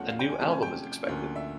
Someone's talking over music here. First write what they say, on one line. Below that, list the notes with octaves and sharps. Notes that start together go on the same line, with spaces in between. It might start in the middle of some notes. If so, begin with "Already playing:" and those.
A new album is expected.
Already playing: E2 C#3 F3 A3 C#4 F#5
F5
G5
G#5
C3 F3 A3 C#4 A5
G#5
G5
D2 D3 F3 A#3 C#4
E5